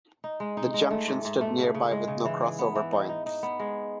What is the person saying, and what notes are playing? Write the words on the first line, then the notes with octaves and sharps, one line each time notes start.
The junction stood nearby with no crossover points.
D#4
G#3
D#4
G#3
A3
G#2
G#2
A3
C#3
C#3
G#3
C#3
E3
G#4
B3
E3
D#4
D#4
D#4
B3
G#3